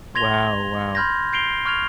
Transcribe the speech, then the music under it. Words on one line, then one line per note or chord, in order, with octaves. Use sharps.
Wow, wow.
C6 G#6 A#6 F7 G7
B5 C6 F6 G6 G#6 A#6
G6 C7 D7 F7 G7
C#6 F6 G#6 F7